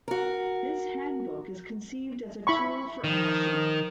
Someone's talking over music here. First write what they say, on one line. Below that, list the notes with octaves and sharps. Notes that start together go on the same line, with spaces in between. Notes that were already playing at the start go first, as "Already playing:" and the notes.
This Handbook is conceived as a tool for action.
F#4 A#4
E4 B5 C#6
D#3 F3